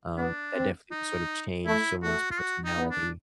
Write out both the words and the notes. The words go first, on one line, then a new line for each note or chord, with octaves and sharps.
um, that definitely would sort of change someone's personality
B3 D4
C4
D#4
A3 E4
A3 F#4
F4
F#4
D#4
B3
D4